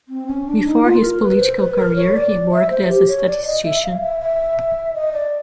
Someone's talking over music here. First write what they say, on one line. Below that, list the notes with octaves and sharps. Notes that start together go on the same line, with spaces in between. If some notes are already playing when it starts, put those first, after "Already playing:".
Before his political career he worked as a statistician.
C4
C#4
D4
D#4
F4
A#4
B4
C5
B4
A#4
C#5
D5
E5
C5
G4
C#5
D5
D#5
E5
F5
E5
E5
D#5
D5